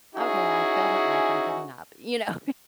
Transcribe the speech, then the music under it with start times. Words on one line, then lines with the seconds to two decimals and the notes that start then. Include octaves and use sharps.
"Okay, I failed at life, I'm giving up," you know
0.15 C#4 D#4 E4 F#4 G#4